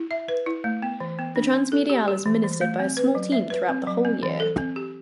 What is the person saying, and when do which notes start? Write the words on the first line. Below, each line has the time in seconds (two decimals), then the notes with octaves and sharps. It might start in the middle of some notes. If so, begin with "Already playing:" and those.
The transmediale is ministered by a small team throughout the whole year.
Already playing: E4
0.11 E5
0.28 B4
0.46 E4
0.64 A3
0.82 B3
1.00 E3
1.19 B3
1.36 D4
1.53 C4
1.72 A4
1.90 G4
2.08 G4
2.26 E3
2.44 E3
2.61 A3
2.80 C4
2.97 B4
3.15 F#3
3.32 E5
3.50 B4
3.69 C4
3.87 F#3
4.05 C4
4.23 E3
4.40 A4
4.58 C4
4.76 G4